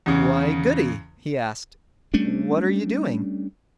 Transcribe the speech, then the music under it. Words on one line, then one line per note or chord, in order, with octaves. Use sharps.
'Why, Goody!' he asked, 'what are you doing?'
E2 C#3
G3 A3 C#4 D4